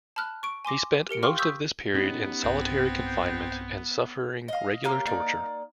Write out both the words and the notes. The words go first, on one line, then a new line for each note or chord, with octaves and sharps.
He spent most of this period in solitary confinement and suffering regular torture.
A5 B5 F6 F#6
C#6 D7
G#5 C6 D6 A#6
G4 A#4 C#7 D7
F5 G5 C6 C#6 F6
C#6 D#6 E6 G6 B6
B3 C#4 D#4 G4
B1 G2 C4
D#5 F5
A#3 G4 C#5 F5
A#3 D#4 D5